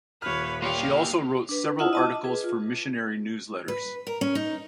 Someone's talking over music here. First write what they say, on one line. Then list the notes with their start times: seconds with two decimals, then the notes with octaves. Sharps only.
She also wrote several articles for missionary newsletters.
0.22 D#1 B4 C#5 F6
0.62 A#3 F4 G4 C#5 D5 F5
1.49 D4 B4
1.79 E4 F4 E5 F#5 D#6
1.93 D#5 A5 D6
2.24 G#4 B4
2.44 F4
3.68 B4
4.07 A#4
4.21 C#4
4.35 D#4